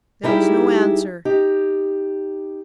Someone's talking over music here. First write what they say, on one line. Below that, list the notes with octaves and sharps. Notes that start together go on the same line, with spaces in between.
There was no answer.
G3 D#4 E4 G4 G#4
D#4 G4